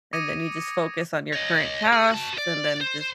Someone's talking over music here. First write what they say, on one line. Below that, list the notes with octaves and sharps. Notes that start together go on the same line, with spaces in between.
and then you just focus on your current tasks, and then just
D6 D#6 G#6 A#6 C#7 D#7
C#5 D#5
G#4
F#4 A5
D5
C5